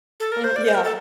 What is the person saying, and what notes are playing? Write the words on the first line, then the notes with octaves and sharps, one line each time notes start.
Mm, yeah.
A4
A#4
C5
D5
C5
A#4
A4